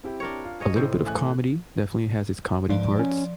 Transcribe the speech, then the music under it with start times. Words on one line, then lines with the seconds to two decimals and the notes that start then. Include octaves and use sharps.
a little bit of comedy, definitely has its comedy parts,
0.03 C4 E4 G4
0.20 D4 A#4 C#5
0.44 F4
0.60 G#4 C#5 D#5
0.76 A2 C3 C5
1.06 A1 G#5 F#6
2.69 G#2 F3 D5
2.99 C#4